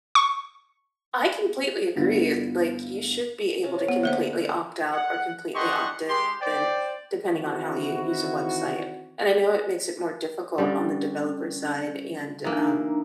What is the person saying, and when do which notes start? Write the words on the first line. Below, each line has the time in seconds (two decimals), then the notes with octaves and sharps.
I completely agree, like, you should be able to completely opt out or completely opt in, depending on how you use a website. And I know it makes it more difficult on the developer side and, um,
0.15 C#6
1.95 G2 D3 B3 E4 F4
3.63 C3 C#4
3.88 B3
4.03 D3 A#3 C5 F#5 B5
4.41 F5
4.92 F#5
5.55 D4 G4 D#5 F#5 C6 C#6
6.08 G#3 G4 C6
6.41 C5 D5 G5
7.30 D#3 E3 C4 E4 F#4
10.58 D3 G3 C#4
12.45 E3 A#3 D4 D#4 A#5